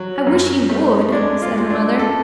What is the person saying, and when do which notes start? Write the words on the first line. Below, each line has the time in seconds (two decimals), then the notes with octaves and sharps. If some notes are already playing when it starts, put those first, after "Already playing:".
"I wish he would!" said her mother.
Already playing: F#3
0.26 F#2
0.69 A3
1.12 G#3 D4
1.42 F4
1.56 G#3
1.70 D4
1.99 A4